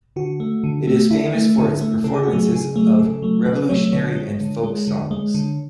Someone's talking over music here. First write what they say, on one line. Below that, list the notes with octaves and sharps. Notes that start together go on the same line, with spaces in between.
It is famous for its performances of revolutionary and folk songs.
D3 F#4
A3
D3
A3
D3 E4
A3
D3
A3
C#3 A4
G#4
F#4
F#3 A3 G#4
C#3 G#4
F#3 A3
C#3 A4
F#3 A3
C#3 B4
F#3 A3 C#5
D3 C#5
G#3
D3
G#3
D3
G#3
D3